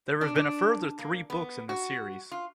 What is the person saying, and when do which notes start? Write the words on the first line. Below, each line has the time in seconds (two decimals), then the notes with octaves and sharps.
There have been a further three books in this series.
0.21 D4
0.36 D4
0.99 A#3
1.30 B3
1.69 F#4
2.32 F4